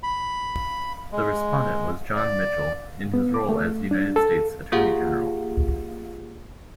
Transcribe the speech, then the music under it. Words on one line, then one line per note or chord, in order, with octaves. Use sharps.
The respondent was John Mitchell in his role as United States Attorney General.
B5
G#3
D5
B3
D6
A3
D4
A4
A#3 F4 G4 G#4 F5 F#5